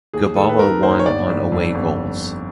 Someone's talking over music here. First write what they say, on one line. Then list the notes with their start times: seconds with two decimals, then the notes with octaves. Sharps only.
Gabala won on away goals.
0.13 D#2 G#4
0.36 D#3 A4
0.49 B4
0.59 D#3 A#4
0.83 D#2 C5
0.99 C#5
1.06 G1 D5
1.29 G1
1.52 F2
1.75 G1